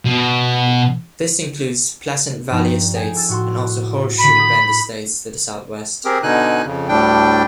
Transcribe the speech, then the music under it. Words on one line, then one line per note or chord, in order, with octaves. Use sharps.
This includes Pleasant Valley estates and also Horseshoe Bend estates to the southwest.
B2
G2 F3 D#4
G#4 G5 G#5
A4 E6 A6
A2 F#4 C6
A2 D3 B5
D#6 G6 D#7
C4 G4 G#4 A#4
B2 D3 D#4 G#5 F#6
F2 C#3
D2 A2 G3 D4 G5